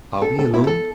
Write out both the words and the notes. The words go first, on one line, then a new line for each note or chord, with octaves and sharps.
"Are we alone?"
A4
A4
E4
A4